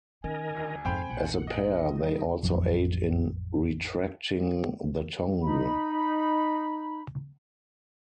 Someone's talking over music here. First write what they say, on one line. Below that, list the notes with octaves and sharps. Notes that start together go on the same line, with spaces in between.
As a pair they also aid in retracting the tongue.
D#3 C#4 A#4 D#5 G#5
D#1 D2
F2 G#2 C4 C5 F5 G5 B5
A#1 F#5
D#5
G3 D#4
A1 F2 F3 F#3
D#4 B5